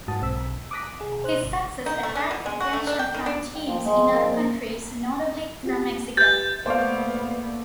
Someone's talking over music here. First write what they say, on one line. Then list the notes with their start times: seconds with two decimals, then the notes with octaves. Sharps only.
His success attracted attention from teams in other countries, notably from Mexico.
0.08 G#2 F#4 A5 D#6
0.22 B1 C4 E6 B6
0.71 D6 D#6 F#6 A#6 B6
1.01 G#4
1.24 C5 F#6
1.43 G1
1.86 D#4
2.03 A3
2.15 D4
2.31 B2
2.46 G#3
2.60 F#4
2.73 A3
2.87 D4
2.99 G5
3.14 D#3
3.26 D4
3.55 G5
3.67 F3
3.85 G#3
4.01 C4
4.13 A#3
4.29 C4
5.63 C4 F4 G4
6.17 G4 B4 G6 A6
6.66 A#2 A3 B3 C5 D5 F5